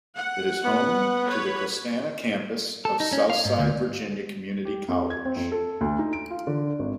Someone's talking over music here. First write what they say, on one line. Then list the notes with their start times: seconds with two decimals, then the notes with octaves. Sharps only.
It is home to the Christanna Campus of Southside Virginia Community College.
0.16 F#5
0.64 B3
1.28 B4 C#5
2.85 A4
3.00 D#4
3.13 C#4
3.30 F5
3.45 G#2
3.59 D2
4.65 G4
4.89 F2
5.10 G#6
5.25 C4
5.36 F2
5.52 A4
5.81 D2
5.99 D#4
6.13 D7
6.30 F4
6.47 D3
6.79 G#1